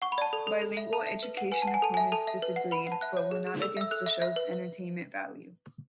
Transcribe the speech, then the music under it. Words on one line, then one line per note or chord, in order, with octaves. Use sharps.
Bilingual education opponents disagreed, but were not against the show's entertainment value.
F#5 C#6
B5
D5 A5
A4
A4
A4
E5
A4 A5
E5
B4
F#5
B4 G#5
A5
F#5
G#5
A4 A5
E5 G#5
A4 A5
E5
B4
F#5
B4 B5
F#5 A5
E5 F#6
C#5
G#4
G#4
A4 E6
E5 E6
A4 F#6
E5
E5
B4